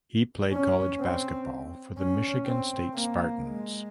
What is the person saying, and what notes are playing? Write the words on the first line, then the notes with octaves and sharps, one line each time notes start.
He played college basketball for the Michigan State Spartans.
C#4
C4
C#4
C4
A#3
G#3